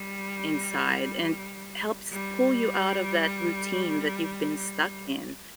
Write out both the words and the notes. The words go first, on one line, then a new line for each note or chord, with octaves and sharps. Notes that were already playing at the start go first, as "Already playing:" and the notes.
inside and helps pull you out of that routine that you've been stuck in,
Already playing: G3
G3